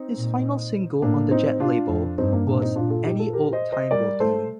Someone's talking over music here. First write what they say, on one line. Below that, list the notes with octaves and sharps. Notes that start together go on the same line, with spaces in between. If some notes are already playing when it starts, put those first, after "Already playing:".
His final single on the Jet label was "Any Old Time Will Do".
Already playing: C4 D#4
A#2
A2 A#3 D4
C4 D#4
D4 F4
F2
G2 C4 D#4
A#3 D4
A#2 A#3 D4
C4 D#4
A#2 D4 F4
F4 A4
D#4 G4
F4 A4
G4 A#4
C5 D#5
C5 D#5
G3 A#4 D5
A3 A4 C5